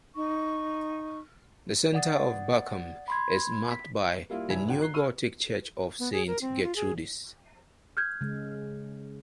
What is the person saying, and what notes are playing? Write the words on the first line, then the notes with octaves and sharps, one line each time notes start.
The center of Bockum is marked by the neogothic church of Saint Gertrudis.
D#4 C#6
D5 F#5 D#6 A6
B5 C6 G#6
B6
G3 A#3 E4 F4
F1 G2 E4 G#5 B5 G#6
G#1 D2 G5
A#5 F#6 C7 G7
C#6 E6 F6 D#7
B3
G#4
A#4
C4
F4
G#4
F6 G6 G#6
C#3 G#3